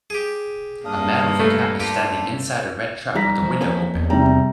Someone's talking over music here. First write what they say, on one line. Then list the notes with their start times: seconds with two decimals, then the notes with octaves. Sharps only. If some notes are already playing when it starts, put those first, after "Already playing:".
A man with a cap is standing inside a red truck with the window open.
0.10 G4 G#4
0.85 G2 A#3 D4 F5 D#6
1.40 A3
1.80 D4 F4 G4
3.15 G3 A#5 A#6 B6
3.43 F3
3.61 F2 A#3 C#4
3.95 E2
4.10 C3 G3 A#5